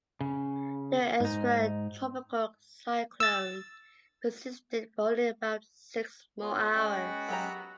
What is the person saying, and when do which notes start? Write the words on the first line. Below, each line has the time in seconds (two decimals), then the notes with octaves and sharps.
The extratropical cyclone persisted for only about six more hours.
0.21 C#3
1.20 G#2 D#4
3.20 E6 A6
6.42 B3 F4 C#5
6.74 G#3 B3 C#4 F#4 G5
7.29 F#3 G4 A#5